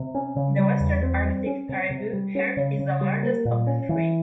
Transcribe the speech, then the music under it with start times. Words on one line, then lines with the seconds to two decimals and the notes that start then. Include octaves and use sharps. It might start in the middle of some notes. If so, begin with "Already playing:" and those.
The Western Arctic caribou herd is the largest of the three.
Already playing: C3
0.15 C#4
0.36 C#3
0.59 G3
0.80 E2
1.03 C4
1.24 G3
1.46 C#4
1.69 C3
1.91 C3
2.13 G3
2.35 C#4
2.57 C#3
2.79 C#3
3.01 G3
3.23 A#3
3.45 A#2
3.67 C#4
3.89 E3